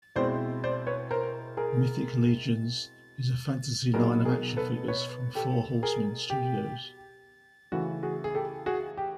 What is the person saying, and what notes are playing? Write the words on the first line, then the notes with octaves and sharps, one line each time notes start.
Mythic Legions is a fantasy line of action figures from Four Horsemen Studios.
B2 G#3 C4 E4 C5 D5
C5 D5
B4 C#5
A#4 C5
G#4 A#4
B2 F#3 B3 D#4 G#4 A#4
G#4 A#4
A4 B4
B4 C#5
G4 A4
G#4 A#4
G4
C#3 E3 A3 F#4
F#4 G#4
G#4
G4 A4
F#4 G#4
G4